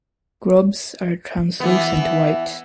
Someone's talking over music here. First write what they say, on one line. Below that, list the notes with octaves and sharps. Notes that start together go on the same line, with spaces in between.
Grubs are translucent white.
E3 B3